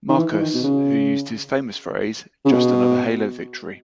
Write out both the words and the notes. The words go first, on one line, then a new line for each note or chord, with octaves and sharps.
Markas, who used his famous phrase Just another Halo victory!
D#3
E3
E3
D#3
B2
C#3
C#3
B2